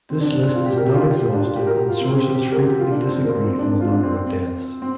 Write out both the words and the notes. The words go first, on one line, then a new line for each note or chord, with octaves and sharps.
This list is not exhaustive and sources frequently disagree on the number of deaths.
C4
D4
D4
C4
F4
G4
A#4
G4
F4
G4
F4
D4
F4
G4
A#4
G4
F4
C4
C4
G4
G4
G4
A#4
G4
G4
F4
D4
C4
C4
A#3
C4
C4
D4
D4
F4
D4
C4
C4
C4